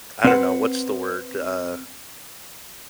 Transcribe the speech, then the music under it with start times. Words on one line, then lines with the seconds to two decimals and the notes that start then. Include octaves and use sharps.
I don't know. What's the word, uh
0.25 C4 B4 F#5